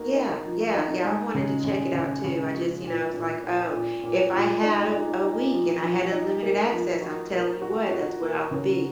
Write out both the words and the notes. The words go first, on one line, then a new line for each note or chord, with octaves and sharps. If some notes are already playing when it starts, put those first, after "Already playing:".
Yeah, yeah, yeah, I've wanted to check it out too, I just you know, it's like, oh, if I had a a week and I had unlimited access, I'm telling you what, that's where I would be.
Already playing: A#3 D#4 F#4
D#4
F3
D#4
G#3
C#3
C#3
C#3
C#3
F3
A#2
A#2
A#2
A#2
A#2
A#2
D#4
D#4
D#4
F3
F3
D#4
A#3
F3
F#4
A#3
F#4
F#4
A#3
C#3